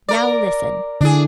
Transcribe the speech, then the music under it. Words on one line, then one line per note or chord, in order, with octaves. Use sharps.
Now, listen.
A#4 D5
D3 D4 E4 G#4